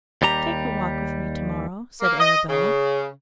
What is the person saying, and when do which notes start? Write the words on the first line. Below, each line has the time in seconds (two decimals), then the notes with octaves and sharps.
"Take a walk with me to-morrow," said Arabella.
0.22 D#2 G3 G4 A#5
2.01 A#3
2.20 D#5
2.49 C#3